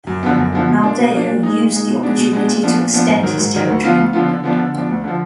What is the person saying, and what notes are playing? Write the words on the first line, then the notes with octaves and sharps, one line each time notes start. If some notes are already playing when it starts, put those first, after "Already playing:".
Maldeo used the opportunity to extend his territory.
F#2
D3 F3 B3
F#2
D3 F3 B3
B2
A#3 D4
B2
A#3 D4
A#2
G#3 D#4
A#2
G#3 D#4
B2
G#3 B3 D4
B2
G#3 B3 D4
A#2
F3 B3 D4
A#2
F3 B3 D4
G#2
D#3 F#3
G#2
D#3 F#3
D2
D3 F3 B3 F4
D2
D3 F3 B3 F4
D3
F3 B3 D4
D3
F3 B3 D4
D2
D3 F3